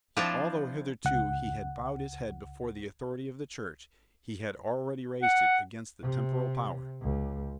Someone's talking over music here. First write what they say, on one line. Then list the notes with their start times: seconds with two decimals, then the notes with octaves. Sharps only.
Yet, although hitherto he had bowed his head before the authority of the Church, he had already raised it against the temporal power.
0.17 F3 C4 D4 E4 F4
1.05 C#2 F#5
5.23 F#5
6.03 C3
7.02 C#2